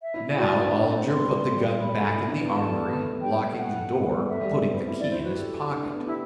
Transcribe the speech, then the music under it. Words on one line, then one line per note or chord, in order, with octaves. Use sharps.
Now Ollinger put the gun back in the armory, locking the door, putting the key in his pocket.
E5
E4
F#4 D5
D4
C4
D4
C4
B3 C6
G3
A3
A3
G3
A3 B5
A3
E4
D4
B3
A3 A5
G3
A3
B3
A3
A3
G3 G5
A3
F#5
B3
G3
B3
A3
A3 E5
G3
A3
B3
C4
E4
E4 D5
E4 C5
F#4 B4
G4 A4
D4
A3
B3
E4 G4